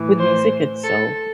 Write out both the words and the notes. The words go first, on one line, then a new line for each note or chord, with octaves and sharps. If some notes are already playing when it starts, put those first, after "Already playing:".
with music itself,
Already playing: A2 E3
C5
A4